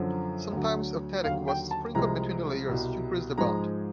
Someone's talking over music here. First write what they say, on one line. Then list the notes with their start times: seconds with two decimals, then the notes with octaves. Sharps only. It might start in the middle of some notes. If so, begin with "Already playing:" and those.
Sometimes eutectic was sprinkled between the layers to increase the bond.
Already playing: F#2 D3 F3
0.52 D2 D3 F#3
1.24 D#2 D3 F#3 F5
1.48 G5
1.71 A5
1.95 C2 C3 F3 G#3 A#5
2.67 C2 B2 G3
3.38 G#2 F3 G#3 A#5